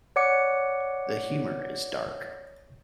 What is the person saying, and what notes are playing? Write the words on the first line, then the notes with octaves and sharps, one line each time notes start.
The humor is dark.
C#5 D5 F#5 D6 C#7